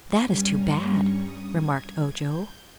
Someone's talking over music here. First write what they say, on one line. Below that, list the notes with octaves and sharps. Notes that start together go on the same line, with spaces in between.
"That is too bad," remarked Ojo.
G2 G3 C#4 G#5
A#5
C#6
D#6
G#6
G#6
G6